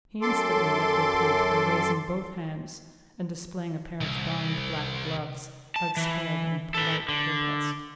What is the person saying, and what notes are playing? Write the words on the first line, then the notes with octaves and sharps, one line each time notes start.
He instantly met the attempt by raising both hands, and displaying a pair of darned black gloves outspread in polite protest.
F#2 A4 C6 D6
C2
A5
E3
A4 B4
D3